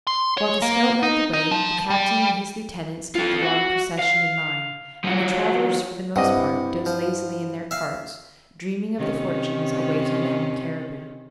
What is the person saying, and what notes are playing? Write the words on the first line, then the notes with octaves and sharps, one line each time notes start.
While the scout led the way, the captain and his lieutenants kept the long procession in line; and the travellers for the most part dozed lazily in their carts, dreaming of the fortunes awaiting them in Cariboo.
C6
C#5
A#3
D#4
D#4
F3
G3
F4 A4
F#4 F#5
F5
F3 F#4
G2 C3 E4 D#5 F#5
F3
E5 F5
C3 D#3 C#4